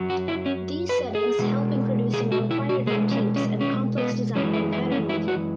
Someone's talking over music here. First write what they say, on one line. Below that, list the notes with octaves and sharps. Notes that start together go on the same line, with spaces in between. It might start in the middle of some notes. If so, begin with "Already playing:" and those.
These settings help in producing required motifs and complex design and pattern making.
Already playing: F#2 F#3
F#4
E4
C#4
B4
G#4
B2 G#3
G#4
F#4
E4
F#4
B2 G#3 G#4
C#4
C#4
C#4
B3
F#2 E3 G#3 C#4
E4
E4
C#4
E4
F#4